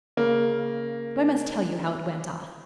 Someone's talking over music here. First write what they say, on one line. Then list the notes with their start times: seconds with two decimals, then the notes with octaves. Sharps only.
But I must tell you how it went off.
0.17 C#3 A#3